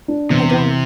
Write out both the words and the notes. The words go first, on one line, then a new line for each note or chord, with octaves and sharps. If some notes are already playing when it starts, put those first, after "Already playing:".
I don't
D4
E2 C3
E3